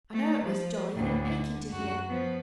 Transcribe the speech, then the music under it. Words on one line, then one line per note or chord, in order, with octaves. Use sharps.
I know it was jolly, and I'm aching to hear.'
A3
F3
D2 A2
D3
F#2 F#4
F3 B3